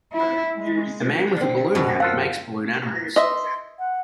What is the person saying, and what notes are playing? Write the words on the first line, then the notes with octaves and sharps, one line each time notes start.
A man with a balloon hat makes balloon animals.
E4
G#3
D3 C4
F#2 B2
F4 A4 F5 F#5
D#5 E5 C6
F#5